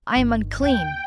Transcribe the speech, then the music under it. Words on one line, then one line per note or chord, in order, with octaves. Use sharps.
I am unclean!
G1 D#3
D#2 G5